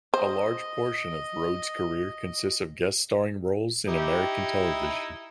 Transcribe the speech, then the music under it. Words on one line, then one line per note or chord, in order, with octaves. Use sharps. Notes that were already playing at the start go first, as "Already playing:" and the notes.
A large portion of Rhodes' career consists of guest starring roles in American television.
C5 D#5
D#4 E4 G4